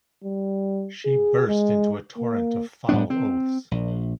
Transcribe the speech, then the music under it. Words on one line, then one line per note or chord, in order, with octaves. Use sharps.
She burst into a torrent of foul oaths.
G3
G#4
G#3
A#3
A2 G3 B3 D4
C4
A#1